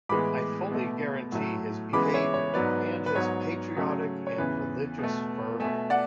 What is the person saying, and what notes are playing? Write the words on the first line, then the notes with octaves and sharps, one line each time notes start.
I fully guarantee his behaviour and his patriotic and religious fervour.
A2 E3 G#3 B3 B5 D6
B2 A3
A2 F#3 A3
C#3 E3 G#3 B3 B5 D6
C#5 E5
C#5
G#2 F#3 B3 B4 D5
B4
G#2 F#3 B3 C#5
C#3 F#3 A3
C#5
E2 C#3 E3 B4
B2 A3
B2 A3 E5 G#5
D5 F#5